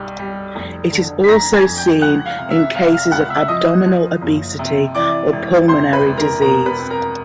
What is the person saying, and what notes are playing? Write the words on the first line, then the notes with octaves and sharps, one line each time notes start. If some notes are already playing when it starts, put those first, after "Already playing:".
It is also seen in cases of abdominal obesity or pulmonary disease.
Already playing: B1 G3
G3
F1
D3
B6
F1 A#5 A#6
G#5 G#6
F2
G5 G6
C#2 F#5 F#6
F5 F6
C3
E5 E6
C3 F5 F6
F5 F6
C#2 F#5 F#6
E5 E6
F3 D#5 D#6
F3
F#1
C3
E3 D5 D6
E1
C3 C5 C6
B4 B5
E1
A#4 A#5
B2 A#4 A#5
B4 B5
C4
A#4 A#5